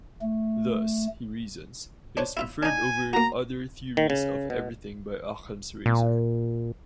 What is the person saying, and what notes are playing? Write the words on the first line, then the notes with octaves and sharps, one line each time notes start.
Thus, he reasons, it is preferred over other theories-of-everything by Occam's Razor.
A3
D4 C5 C#5
E4 F4 E5
D4 D#4 G#5
A#3 F#4 A#5
D#3
C#3
B2
A#2